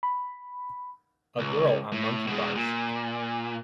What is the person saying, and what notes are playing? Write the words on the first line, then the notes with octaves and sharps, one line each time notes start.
A girl on monkey bars.
B5
C#2
A2
B2 G#3
A#2